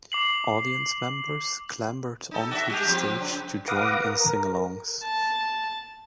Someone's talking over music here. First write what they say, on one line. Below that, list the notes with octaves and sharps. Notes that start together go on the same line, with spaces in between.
Audience members clambered onto the stage to join in singalongs.
D6 C7 F#7
D#4 A4
F#4 D5 E5
G3 G4
F3 C4
C#3
B4 F5 F#5 D6 D#6 A#6
A#4
A5